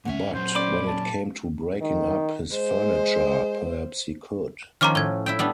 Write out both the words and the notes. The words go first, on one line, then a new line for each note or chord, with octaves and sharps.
But when it came to breaking up his furniture, perhaps he could!
G#2 C#4 E5 F#5
A#2 F#3 C5
C#4 D5 B5 D6
A5
D#3
G#3 C5
D#3 F3 C#4 A#5 D6 F6
A2 G#6 G7
E4 E5 G5
G3 B3 D4